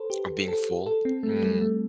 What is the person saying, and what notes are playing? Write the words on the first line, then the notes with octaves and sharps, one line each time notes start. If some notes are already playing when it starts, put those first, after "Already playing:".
Oh, being full? Mm.
Already playing: A4 B4 C5
G4
A4
A4
C4
A3
G3
A3